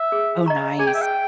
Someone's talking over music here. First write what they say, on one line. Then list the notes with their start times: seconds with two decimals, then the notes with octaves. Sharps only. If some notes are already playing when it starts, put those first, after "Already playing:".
Oh, nice.
Already playing: E5
0.12 G#4
0.46 D#5 A#5 C#6
0.79 G#4 G#5
0.87 G5
0.94 E5
1.02 G5